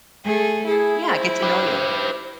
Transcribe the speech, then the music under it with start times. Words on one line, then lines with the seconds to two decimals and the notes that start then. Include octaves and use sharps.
yeah get to know you.
0.25 A3 G#4 A4
0.68 E4 G#4
1.09 C5
1.42 G4 B4